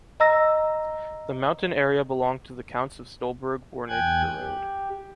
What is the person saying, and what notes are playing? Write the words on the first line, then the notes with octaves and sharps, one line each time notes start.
The mountain area belonged to the counts of Stolberg-Wernigerode.
D#5 A#5 E6 A#6
E2 G5 G#5 F#6 G#6
G4